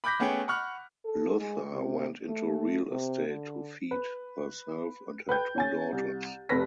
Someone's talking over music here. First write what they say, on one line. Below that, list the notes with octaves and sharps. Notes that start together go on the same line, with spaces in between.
Luther went into real estate to feed herself and her two daughters.
B5 D6 F#6 G6 A#6 B6
A3 B3 C#4 G#4 F#5 G5
F#5 B5 C#6 F6 F#6
A4
G#3
C3
A3
C3
D3
B4
B4 G5 G6
C#4 G#5 A6
C2
F1 C3 A4 B4 A#6 B6